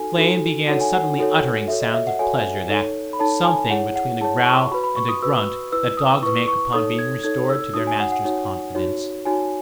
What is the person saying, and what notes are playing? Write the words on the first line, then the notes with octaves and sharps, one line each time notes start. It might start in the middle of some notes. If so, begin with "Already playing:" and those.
Flame began suddenly uttering sounds of pleasure, that "something" between a growl and a grunt that dogs make upon being restored to their master's confidence.
Already playing: D#4 F#4 A4 G#5
D#4 F#4 A4
D#4 F#4 A4 C#5 F#5
G#5
F#5
D#4 F#4 A4 C#5
F#4 A4 C#5 E5
D#5
E5
F#5
F#4 A4 C#5 G#5
D#4 A4 C#5
B5
D#4 A4 C#5 A5
G#5
E4 G#4 C#5 F#5
F#5
E4 G#4 C#5 A5
C#6
F#4 B4 B5
B5
C#6
D#6
F#4 B4 E6
E4 B4 E6
D#6
E4 B4 C#6
C#6
D#4 A4 C#5 D#6
G#6
D#4 A4 C#5 G#6
E6
D#4 F#4 C#5 D#6
G#5
F#5
F#5
D#4 F#4 C#5
D#4 F#4 C#5
D#4 F#4 C#5 G#5